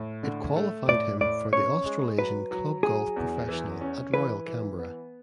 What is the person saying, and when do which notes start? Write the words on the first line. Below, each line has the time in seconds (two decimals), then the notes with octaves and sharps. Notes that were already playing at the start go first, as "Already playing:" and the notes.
It qualified him for the Australasian Club Golf Professional at Royal Canberra.
Already playing: A2
0.23 D3
0.56 A3
0.88 A2 D5
1.21 A2 D5
1.53 C#4 C#5
1.85 G#3
2.18 F#3 B4
2.51 F#3
2.83 F#3 G#4
3.16 E2
3.49 E3
3.81 C#4
4.13 E3 B4
4.46 E3
4.79 B3